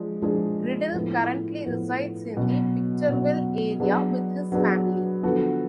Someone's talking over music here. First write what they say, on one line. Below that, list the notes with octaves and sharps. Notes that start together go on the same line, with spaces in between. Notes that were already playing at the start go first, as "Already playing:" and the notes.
Riddle currently resides in the Victorville area with his family.
Already playing: F3 G#3 D4
F3 G#3 D4 G#4
A2 F3 B3
A2 F3 B3
B2 F#3 C#4 F#4
B2 F#3 C#4 F#4
F#3 B3 D4 G#4
F#3 B3 D4 G#4
D3 F3 B3 F#4 A4